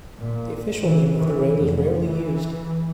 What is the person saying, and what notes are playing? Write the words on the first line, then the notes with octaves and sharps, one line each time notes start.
The official name of the road is rarely used.
A#2
E3
E3
F1
E3